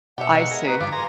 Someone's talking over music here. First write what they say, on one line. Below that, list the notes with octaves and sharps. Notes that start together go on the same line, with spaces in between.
I see.
B2 G4 E5 F#5
D#3 G#3
G#4 A#4
A#3 D#4 F#4 B4
G2 D3 F4 D6
G#4 A#4 A#5 C6